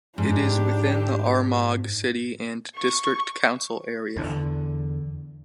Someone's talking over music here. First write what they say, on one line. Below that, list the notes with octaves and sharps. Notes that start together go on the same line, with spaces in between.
It is within the Armagh City and District Council area.
G#2 D4 G4
C#6
E2 D3